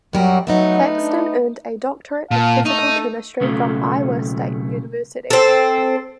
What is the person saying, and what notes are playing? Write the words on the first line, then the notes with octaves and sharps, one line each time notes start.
Thaxton earned a doctorate in physical chemistry from Iowa State University.
F#2 F#3 G3 A#4
F#3 A3 B3 D#4
D4
A#2 F5 A5
A3 D#4
B1 C#3 A3
C4 A4